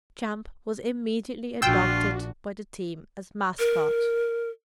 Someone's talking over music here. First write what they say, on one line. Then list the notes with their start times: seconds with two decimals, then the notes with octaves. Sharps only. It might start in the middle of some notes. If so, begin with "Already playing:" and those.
Champ was immediately adopted by the team as mascot.
1.62 A#1 D4 F4 F#4 G5 E6
3.59 A#4